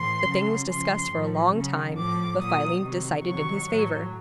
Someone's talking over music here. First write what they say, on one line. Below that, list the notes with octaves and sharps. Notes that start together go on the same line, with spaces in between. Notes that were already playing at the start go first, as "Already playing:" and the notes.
The thing was discussed for a long time, but finally decided in his favor.
Already playing: A2 E3 C6
C#3 F#3
C#3 F3 C6
A2 F3
C#3 F#3
A2 F3 D6
A#2 F#3 D#6
C3 D#3 F#3
C3 D#3 F#3 C#6
A2 F#3